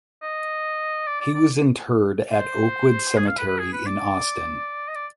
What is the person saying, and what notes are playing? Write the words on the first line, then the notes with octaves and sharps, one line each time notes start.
He was interred at Oakwood Cemetery in Austin.
D#5
D5
D5
D5
C5
G#4
F5
B4
B4
G#4
B4
D5
D#5
D5